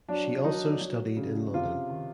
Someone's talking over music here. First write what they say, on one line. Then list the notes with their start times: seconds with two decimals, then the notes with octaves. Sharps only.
She also studied in London.
0.08 F#3 D4
0.44 F#3 D#4
0.80 F#3
1.17 C#3
1.53 C3 F4
1.89 D#3